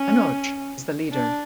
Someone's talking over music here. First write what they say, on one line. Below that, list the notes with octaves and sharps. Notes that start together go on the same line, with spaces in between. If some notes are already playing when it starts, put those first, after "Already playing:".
Manoj is the leader.
Already playing: C#4
D4